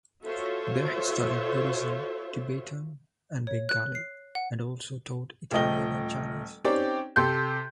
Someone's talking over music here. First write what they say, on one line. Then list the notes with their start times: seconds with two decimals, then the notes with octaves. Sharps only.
There he studied Buddhism, Tibetan and Bengali, and also taught Italian and Chinese.
0.25 F4 F#4 A4 C5 C#5 E5
3.47 C#5
3.69 F#6
3.95 C7
4.35 F#5
5.51 D#1 F3 A3 D#5 G5 G7
6.65 C4 C#4 D#4 G4 D5 G5
7.16 C3 G4 A4 C6 G6